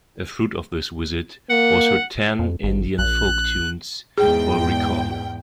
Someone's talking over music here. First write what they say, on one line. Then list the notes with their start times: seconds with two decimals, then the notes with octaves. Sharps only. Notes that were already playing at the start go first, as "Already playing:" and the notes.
A fruit of this visit was her "Ten Indian Folk Tunes" for recorder.
1.50 A#3 F#5
2.39 F2
2.63 G#1
2.98 A#1 F#6
4.18 E2 G#2 G#4 G5